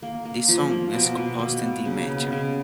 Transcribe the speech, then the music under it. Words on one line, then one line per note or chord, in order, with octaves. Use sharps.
The song is composed in D major.
A#3
A#3
F3
A#3
B2
B2
A#3
B2
C#3
B3
C#3